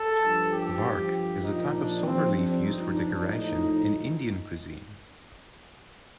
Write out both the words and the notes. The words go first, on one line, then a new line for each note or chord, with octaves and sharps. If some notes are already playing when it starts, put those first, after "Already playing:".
Vark is a type of silver leaf used for decoration in Indian cuisine.
Already playing: A4
G2 F3
G4
G2 F3
A#2 F3 D#4
D4
F2 C3 F3 C4
D4
G2 F3 D#4
D4
A2 F3 D#4